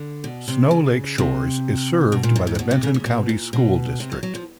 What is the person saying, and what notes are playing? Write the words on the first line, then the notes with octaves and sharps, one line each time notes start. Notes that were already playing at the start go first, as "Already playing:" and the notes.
Snow Lake Shores is served by the Benton County School District.
Already playing: D3
B2
C3
C#3
C3
B2
A#2
G#2
G#2
C3
B2
C3
C#3
C#3
B2
A#2
B2
C3
F#3
F#3
F3